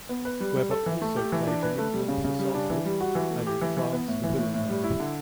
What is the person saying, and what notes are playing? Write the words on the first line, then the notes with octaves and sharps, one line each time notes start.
Webber also played in England for Salford and in France for Villeneuve.
B3
B4
G3
G3
A4
E3
A3
G4
E3
D4
B4
A3
G3
C#3
C#3
G3
D4
E3
G3
F#4
E3
A3
G4
E3
E3
B3
A2
E3
A2
A2
G3
E4
D3